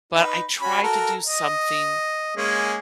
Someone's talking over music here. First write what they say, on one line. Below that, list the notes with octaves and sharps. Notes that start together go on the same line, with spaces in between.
but I try to do something
D#4 B4
C#4 F#4 B5
F#4 A4 A#4
D#5
G#3 A#3 C#4